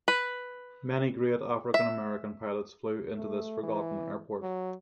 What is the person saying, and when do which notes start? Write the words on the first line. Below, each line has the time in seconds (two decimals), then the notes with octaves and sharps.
Many great African-American pilots flew into this forgotten airport.
0.08 B4
1.74 E5
3.16 A3
3.63 E3
4.42 F#3